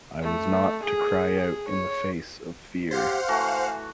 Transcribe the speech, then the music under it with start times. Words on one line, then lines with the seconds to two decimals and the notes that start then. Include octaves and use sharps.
I was not to cry out in the face of fear.
0.23 A3
0.85 G#4
1.36 G#4
1.69 C#5
2.91 G4 C5 F5 F#5
3.28 E3 A3 F#4 G#5